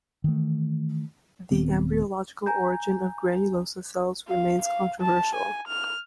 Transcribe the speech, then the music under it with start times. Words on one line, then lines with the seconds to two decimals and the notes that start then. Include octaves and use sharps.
The embryological origin of granulosa cells remains controversial.
0.24 D#3 E3 A3
1.51 D#1 D#3 B3 C4
2.46 G#5 A#5 G6
4.27 F5
4.62 F5
5.01 A5
5.35 G#5
5.68 F6